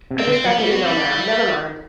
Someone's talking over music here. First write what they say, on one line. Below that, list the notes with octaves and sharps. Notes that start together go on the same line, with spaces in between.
I just got the email now, never mind!.
C3
C4
D3
C4
F#3 B3
G3 A3
F#3 B3
G3 C4
D4
E4